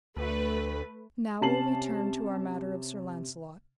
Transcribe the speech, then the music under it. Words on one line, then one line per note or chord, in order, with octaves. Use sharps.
Now will we turn to our matter of Sir Launcelot.
D2 A3 B4
C3 C#4 A5 C7 F#7